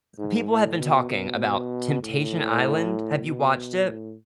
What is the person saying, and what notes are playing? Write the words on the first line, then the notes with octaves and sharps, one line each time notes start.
people have been talking about Temptation Island, have you watched it?
G#2
A2
B2
B2
A2
B2
A2